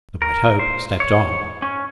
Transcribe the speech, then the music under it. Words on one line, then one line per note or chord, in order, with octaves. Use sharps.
The White Hope slept on.
A#4
C5
C#5
C#4